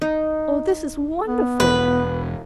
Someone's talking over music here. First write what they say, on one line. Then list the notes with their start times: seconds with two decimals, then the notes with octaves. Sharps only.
Oh, this is wonderful!
0.01 D#4
1.27 B3
1.60 E1 B4